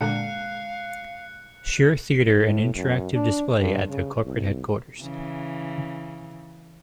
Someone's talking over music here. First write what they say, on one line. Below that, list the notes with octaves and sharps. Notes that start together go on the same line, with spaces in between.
Shure Theater and Interactive Display at their corporate headquarters.
A#2 D3 G#3 D4 F5 A#5 F#6 C#7
A2
F#2
D4
G2
C#3
C2
C#3 E3